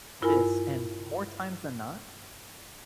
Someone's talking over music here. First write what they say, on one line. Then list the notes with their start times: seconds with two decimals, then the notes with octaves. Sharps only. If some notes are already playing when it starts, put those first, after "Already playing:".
this," and more times than not,
0.22 G2 E4 F4 A#4 G#5 B5